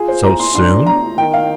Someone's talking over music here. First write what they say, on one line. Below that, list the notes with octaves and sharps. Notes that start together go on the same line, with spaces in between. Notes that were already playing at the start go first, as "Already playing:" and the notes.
"So soon?"
Already playing: F4 G#4
C5
A#5
C6
D4 C6
A#5
D#3 G5
F5